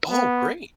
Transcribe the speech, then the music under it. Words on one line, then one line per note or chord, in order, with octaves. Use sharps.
Oh, great.
B3